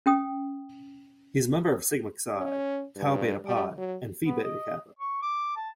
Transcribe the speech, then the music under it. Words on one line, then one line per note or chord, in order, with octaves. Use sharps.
He is a member of Sigma Xi, Tau Beta Pi and Phi Beta Kappa.
C#4 G5 D#6
C#4
G2
G3
F#3
B3
D#5
C#6
D6
A5